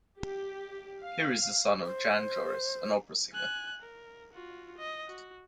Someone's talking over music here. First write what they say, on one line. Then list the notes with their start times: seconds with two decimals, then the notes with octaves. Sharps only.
He is the son of Jan Joris, an opera singer.
0.18 G4
1.03 F5
1.86 C5
3.33 G#5 F#6
3.82 A#4
4.33 F4 F#4
4.78 D#5
5.07 F#4